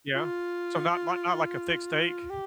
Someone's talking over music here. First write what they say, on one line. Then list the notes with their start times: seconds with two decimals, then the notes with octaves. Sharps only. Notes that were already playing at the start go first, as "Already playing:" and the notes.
Yeah. So not not not like a thick steak?
0.15 F4
2.30 G4